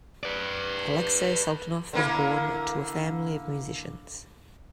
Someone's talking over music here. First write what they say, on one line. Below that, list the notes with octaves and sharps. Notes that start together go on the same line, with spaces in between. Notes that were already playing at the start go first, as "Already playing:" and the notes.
Alexei Sultanov was born to a family of musicians.
B4 D5
D3 A#3 E4